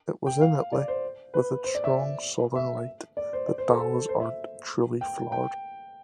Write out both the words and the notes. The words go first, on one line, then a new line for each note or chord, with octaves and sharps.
It was in Italy, with its strong southern light, that Dahl's art truly flowered.
G5
F5
D5
C5
B4
C5
D5
E5
E5
D5
C5
D5
C5
A4
A4
C5
E5
G5
G5